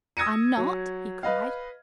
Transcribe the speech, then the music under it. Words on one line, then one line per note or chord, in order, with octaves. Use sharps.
"I'm not?" he cried.
D#6 E6 G#6 A#6 C#7 D#7
F#3
B4 D#5 F5